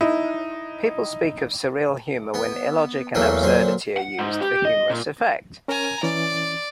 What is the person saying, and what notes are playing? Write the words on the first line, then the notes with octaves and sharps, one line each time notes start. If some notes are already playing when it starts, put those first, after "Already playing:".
People speak of surreal humour when illogic and absurdity are used for humorous effect.
D#4 E4
B3
E2 C#3 E3 F#3 A3 A#3
A#2 D3 F#3 C5
F#5
G#2
G4
D#5
A#2
C#4 A#4 G#5 A#5
E3 C#4 D5